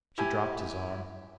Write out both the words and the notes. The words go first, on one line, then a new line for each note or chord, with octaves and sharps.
She dropped his arm.
E4 G4 G#5